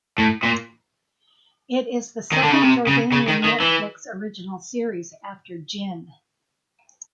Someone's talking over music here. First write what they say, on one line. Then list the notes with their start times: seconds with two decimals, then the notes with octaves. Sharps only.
It is the second Jordanian Netflix original series after "Jinn".
0.18 A2
0.43 A#2
2.32 D#3
2.43 D3
2.52 C#3
2.63 C3
2.87 C#3
3.12 C#3
3.28 D#3
3.44 D#3
3.60 E3